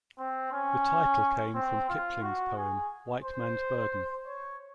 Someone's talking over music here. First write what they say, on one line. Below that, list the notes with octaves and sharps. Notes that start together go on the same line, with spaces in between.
The title came from Kipling's poem 'White Man's Burden'.
C4
C#4
C4
F4
F#4
G#4
C5
C#5